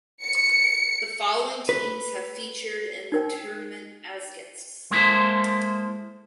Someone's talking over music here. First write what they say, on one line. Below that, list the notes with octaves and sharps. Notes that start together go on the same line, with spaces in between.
The following teams have featured in the tournament as guests.
C#7
B4
D#4 A#4 G5
G#3 A#3 E4 A4 C5